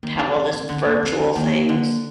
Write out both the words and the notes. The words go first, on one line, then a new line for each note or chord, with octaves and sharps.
have all this virtual things.
D#3 A#3
C4
D4
D4
C4
D3 C4
A#3
C4
C4
D#3 A#3
D3